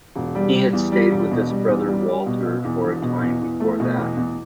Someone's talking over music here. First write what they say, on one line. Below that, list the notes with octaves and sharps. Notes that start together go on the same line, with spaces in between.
He had stayed with his brother Walter for a time before that.
E1
G3
G3
E2
G3
E1
B2
G3
E2
G3
G3
B2
B2
E2
E1
B2
E2
E2
A3
B2
E2
E2